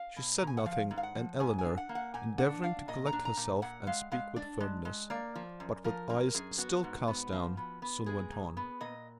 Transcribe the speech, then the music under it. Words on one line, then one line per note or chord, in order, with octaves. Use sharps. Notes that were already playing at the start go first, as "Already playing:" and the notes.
She said nothing; and Eleanor, endeavouring to collect herself and speak with firmness, but with eyes still cast down, soon went on.
Already playing: F5
B2
B2 A#5
G#5
F#5
F3 F5
G#2
F5
F#5
F3
G#2 G#5
G#5
D4
F#5
A#3
F#5
A#2 G#5
D4 F#5
D4 F5
A#2 D#5
A#5
D4
A#5
A#2
A#2 F#5
G#3 F5
G#3 F5
D4 D5
G#3
G#3
A#3 D5
F3
F#2
F3 A#4
F#2 A#4
F#2 G#4
B3 F#4
G#2
B3
F3
B3
B3
G#3 G#4
A#2
B3
A#2 D#5